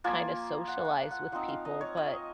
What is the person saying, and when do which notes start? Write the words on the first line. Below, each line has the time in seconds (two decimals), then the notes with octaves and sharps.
kind of socialize with people, but
0.04 F3 A#3 F4 G#5
0.68 F#5
0.85 F#5 G#5
1.11 F#5
1.32 F3 C4 D#4 F#5
1.48 F5
1.65 D#5
1.81 C#5
1.97 D#5